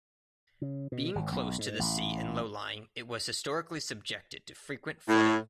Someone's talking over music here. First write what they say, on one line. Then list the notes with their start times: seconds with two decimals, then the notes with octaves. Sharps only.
Being close to the sea and low-lying, it was historically subjected to frequent flooding.
0.61 C#3
0.92 B2
1.15 G#1
1.32 B1
1.58 G#2
1.79 A1
5.09 A2